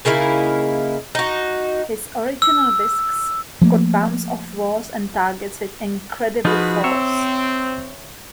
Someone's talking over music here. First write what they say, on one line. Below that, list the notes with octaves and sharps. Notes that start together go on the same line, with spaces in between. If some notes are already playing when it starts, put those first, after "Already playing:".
His original discs could bounce off walls and targets with incredible force.
C#3 A#3 D#4 E4
D#4 F#4
E6
F3 A3 A#3
F3 D#4 F4 F#4 G#4 B4
C4 C#5 E5